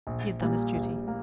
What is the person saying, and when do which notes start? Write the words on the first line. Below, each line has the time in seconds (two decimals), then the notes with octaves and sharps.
He had done his duty.
0.07 A#1
0.40 A#2 G3 A#3
0.75 A#1
1.08 A#3